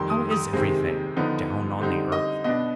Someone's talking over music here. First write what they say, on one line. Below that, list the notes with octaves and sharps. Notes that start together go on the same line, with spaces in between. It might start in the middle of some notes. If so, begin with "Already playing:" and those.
"How is everything down on the earth?"
Already playing: F2 D#3 G3 C6
D#6
D#6
C3 D#3 G#3 C4
D3 F3 B3 D#4
D3 G3 C4 D#4
D#5
B2 B3 D4 D#5